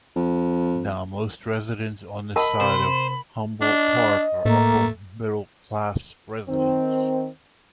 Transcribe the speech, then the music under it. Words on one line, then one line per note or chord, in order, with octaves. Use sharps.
Now most residents on this side of Humboldt Park are upper middle class residents.
F2
A#4 D#5 F#5 A5 B5
C3 C5
D4 D#5
A2 A3 A#3
D#3 C4